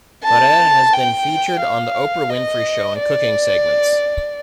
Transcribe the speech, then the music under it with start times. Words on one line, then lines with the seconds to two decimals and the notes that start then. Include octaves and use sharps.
Ferrare has been featured on The Oprah Winfrey Show in cooking segments.
0.24 A5
0.93 G5
1.61 F5
2.30 D#5
2.99 D5